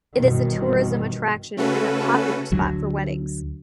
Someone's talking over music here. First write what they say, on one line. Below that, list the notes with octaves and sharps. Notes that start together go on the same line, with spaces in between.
It is a tourism attraction and a popular spot for weddings.
G1 B2 D#3 E3
C#3 A3 C#4 F#4 A4 B4
D2 D3 F#3